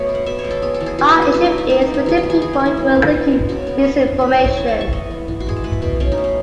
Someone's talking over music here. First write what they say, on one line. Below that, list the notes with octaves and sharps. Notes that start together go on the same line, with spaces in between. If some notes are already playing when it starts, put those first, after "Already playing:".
Our issue is with the people who were leaking misinformation.
Already playing: B2 A3 C#5 D#5
B3
F#5
B2 E5
C#5
G#3
A4
B3 G#4
A4
E3
G#4
E3 F#4
G#4
B3
B4
A3 F#4
D#4
B2
E4
B2 D#4
D#4
A3
D#4
E3 G#4
F#4
B3
G#4
E3 G#4
D#4
G#3
E4
B2
B3
B2
G#3
C#3 F#4
B3
C#3
E3
A3 B4
C#5
E3
E5
E3 G#5
A5
A3
C#6
E3 D#5
B3
E3
F#4
G#3 G#4
A4
A3 B4
B2 B4
B2 C#4
D#4
A3
D#4